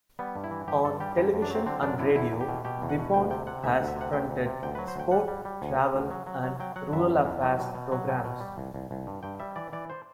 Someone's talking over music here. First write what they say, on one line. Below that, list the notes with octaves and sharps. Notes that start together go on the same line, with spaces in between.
On television and radio Vipond has fronted sport, travel and rural affairs programmes.
G3 B3
G2
E4
E3
G2 G4
G2 A4
G3 G4
F#2 E4
F#2
D4
F#3 C4
D3 C4
F#2 D4
D3 E4
E2 E4
E2
G4
B2
B2 G4
E2
F#5
B2
D2 G5
C3 G5
C3 F#5
D2 E5
F#5
D2
E5
C3 F#5
D2 G5
D2
C3
D2 G5
F#3 B4
C5
D2 G5
G3 F#5
G3
G3
D2
C3
D2
F#3
F#3
F#3
F#3 G5
F#3 F#5
F#2 E5
E2
E2
F#3
B2
B2
F#3
B2
B2
G3
C2
C2
C2
G2
G2 G5
G3 E5
E3 D5
E3 D5
C5